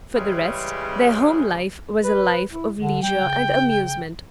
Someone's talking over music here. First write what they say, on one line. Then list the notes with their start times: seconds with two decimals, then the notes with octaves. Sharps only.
For the rest, their home-life was a life of leisure and amusement.
0.15 C#3 E3 G3 G#3 C#4
2.04 B4
2.51 E4
2.78 D3
3.02 G3 G5
3.22 C#3